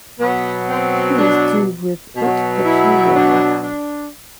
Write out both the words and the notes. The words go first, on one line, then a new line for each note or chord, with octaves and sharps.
Please, do with it what you will.
B2 F#3 B3
C4
D4
B2 F#3
E4
D4
D4